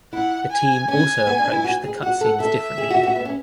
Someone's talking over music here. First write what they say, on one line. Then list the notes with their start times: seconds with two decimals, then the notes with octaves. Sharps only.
The team also approached the cutscenes differently.
0.13 E4 F#5
0.50 G#5
0.88 C#4 G#5
1.27 B3
1.39 D4
1.52 E4
1.64 F#4
1.83 G#4
2.02 F#4 F#5
2.21 A4
2.40 A4 E5
2.78 G#4
2.90 F#4
3.03 F#4
3.16 B3
3.25 C#4